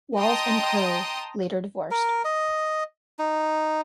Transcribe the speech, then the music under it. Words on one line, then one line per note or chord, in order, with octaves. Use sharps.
Walls and Crowe later divorced.
D#5 G5 A5 A#5 C6 D#6
A#4
D#5
D#4